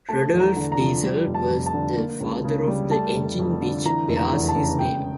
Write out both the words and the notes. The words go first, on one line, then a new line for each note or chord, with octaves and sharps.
Rudolf Diesel was the father of the engine which bears his name.
A3 A5
E2
A#5
D3
A#5
F3
G3
F1
A5
F2
A5
D3
A#3
C#2
C#3
G3
A3 A5
F1
F2
D3
E3 A#5
F1
A#5
E2
A5
C#3
E1 G5